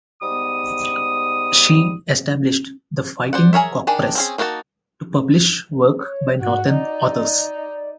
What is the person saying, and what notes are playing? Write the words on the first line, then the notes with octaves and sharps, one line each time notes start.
She established the Fighting Cock Press to publish work by northern authors.
G#2 G3 B3 D#6
C5 D5 F#5
G#4 A#4 C#5 E5
D#3 D4 G#4 A5
C4 C#4 G#4
A#3 D#4 F#4 A4 A5
C#5
G#2 F#4
D#4 D5